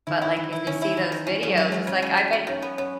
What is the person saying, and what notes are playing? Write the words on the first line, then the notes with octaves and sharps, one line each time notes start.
But, like, if they see those videos it's like I bet
D#3 E4
E4
E3 E4
E4
D#3 C#4
E4
E3 C#4
D#3
E3 C#4
C#3 F#3
C#4
G#3
F#3
C#3 C#4
C#3
C#3
C#3
D#3 C#4
B3
B3 C#4